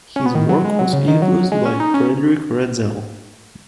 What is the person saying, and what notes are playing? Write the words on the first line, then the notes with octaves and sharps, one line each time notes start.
His work was influenced by Friedrich Ratzel.
C#4
B3
D#3
F#3
G#3
F#3
C#3
D#3
F#3
G#3
C#4
D#4
C#4